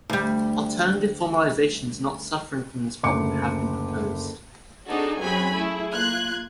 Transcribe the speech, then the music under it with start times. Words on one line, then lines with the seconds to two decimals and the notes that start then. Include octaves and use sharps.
Alternative formalizations not suffering from this problem have been proposed.
0.10 D2 G3
3.03 F#1 D2 D6 C#7
4.87 C4 D4 D#4 F#4 G#4 A4
5.20 F#2 F#3 C4 G#4 G#5 B5
5.53 A3 E4 G#4
5.93 A#3 F4 F#6 G#6